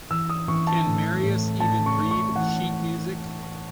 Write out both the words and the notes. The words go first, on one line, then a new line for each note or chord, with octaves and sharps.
Can Marius even read sheet-music?
E3 E6
D#6
E3 C#6
A5
A2
A2
A2 A5
C#6
A2
C#6
E3 F#5